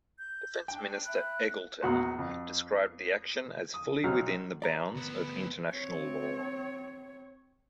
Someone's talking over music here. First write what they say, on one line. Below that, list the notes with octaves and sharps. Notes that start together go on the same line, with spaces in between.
Defence Minister Eggleton described the action as fully within the bounds of international law.
G6
D4 G5
E5 B5 F#6
A#1 E2 B3 F#4 F#5 C6
F2
D#6
B1 F#3 F6
D5 A#5
D2 B3
C4 C#5